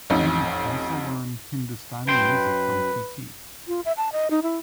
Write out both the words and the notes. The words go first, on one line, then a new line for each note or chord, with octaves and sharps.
Panda also learned Hindustani music from Pt.
A1 F2 D#4
F#2 B4 G5 C6
F4
E5
A5
D#5
D#4
E4